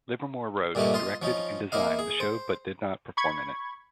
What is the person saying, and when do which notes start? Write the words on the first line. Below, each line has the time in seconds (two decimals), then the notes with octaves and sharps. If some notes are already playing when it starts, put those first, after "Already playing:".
Livermore wrote, directed and designed the show but did not perform in it.
0.75 G2 A#2 G3 A3 D#4 D#5
0.94 F4 D#5 C6
1.22 F3 C#4 D#4
1.72 A#3 E4 D#5 F5
1.99 G#4
2.20 C5
3.17 B5 C#6 G#6